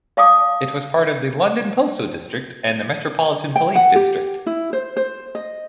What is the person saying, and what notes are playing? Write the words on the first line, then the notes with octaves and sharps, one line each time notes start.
It was part of the London postal district and the Metropolitan Police District.
D5 F5 A5 D6 D#6
G5
F#5
G4
E4
C5
C5
D#5